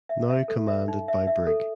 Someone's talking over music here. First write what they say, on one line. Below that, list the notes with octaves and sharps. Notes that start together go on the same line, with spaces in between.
Now commanded by Brig.
E5
E5
A4
E5
D#4
E5
E5
A4